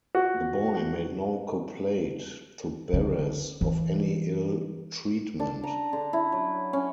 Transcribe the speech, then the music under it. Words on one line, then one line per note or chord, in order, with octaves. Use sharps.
The boy made no complaint to Barras of any ill treatment.
F#4
D3
E3
D4
A#5
D3
E4
F#3
C#4